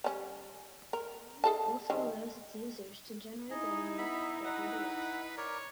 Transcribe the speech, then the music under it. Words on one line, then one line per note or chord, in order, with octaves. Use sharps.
Rumble also allows its users to generate revenue off their videos.
G3 C#4
A#4
G#4 A4 A5
D#3 G3 G#3
D#4 E4 G#4 D#5
B3 E5 B5
B4 F#5
A#4 C#5 D5